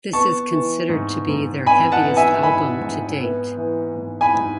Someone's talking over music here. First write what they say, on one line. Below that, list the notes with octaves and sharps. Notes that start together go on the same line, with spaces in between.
This is considered to be their heaviest album to date.
B3 A5 C#6
E3
G#2
G#2
B3 G#5 B5
F#5 A5
E3
E5 G#5
G#2 G#5 B5
G#2
B3
E3
G#2
G#5 B5
G#2